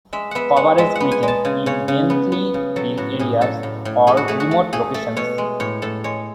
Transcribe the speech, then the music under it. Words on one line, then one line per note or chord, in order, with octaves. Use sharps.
Coverage weakens in densely built areas or remote locations.
G#3 E5
B3 E5 F#5
G#3 F#5
G#3 E5
B3 F#5
G#5
G#3 A5
C#3 G#5
C#3 C#5
C#3
B3
B3
C#3
F#3 A4
A2 F#4
A2 G#4
F#3 A4
A2
A2
A3 G#4
F#4
A3 G#4
F#4
A3
A3 G#4
A3 A4
B2 C#5
G#3
A2 C#5
A2 A4
G#3 C#5